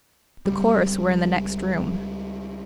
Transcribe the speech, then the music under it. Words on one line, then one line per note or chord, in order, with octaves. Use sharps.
The chorus were in the next room.
C#2 G3